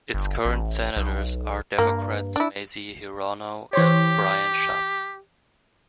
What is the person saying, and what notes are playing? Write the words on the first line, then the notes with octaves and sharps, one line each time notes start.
Its current senators are Democrats Mazie Hirono and Brian Schatz.
G1
A1
B1
G2 A#3
D4 E4
E3 G4 C5 C#5